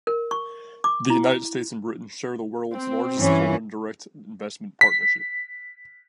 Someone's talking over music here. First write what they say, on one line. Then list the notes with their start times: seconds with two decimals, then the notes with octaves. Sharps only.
The United States and Britain share the world's largest foreign direct investment partnership.
0.07 A#4
0.31 C#6
0.84 D6
1.10 E4
2.72 C4
3.17 G2 E3 C#4
4.81 B6